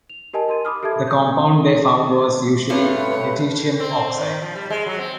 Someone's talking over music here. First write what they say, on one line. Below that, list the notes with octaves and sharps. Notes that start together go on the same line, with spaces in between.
The compound they found was usually lutetium oxide.
F7
G4 A#4 D#5 G#5 A5
A#4 C6 D#7
B5 D6 D#6 F6
G4 A4 E5 A5 G#6
C#5 G6
G2 C3 A3 F4 B4 C#5
C4
D#3
F3
G3
G#3
F#3
C4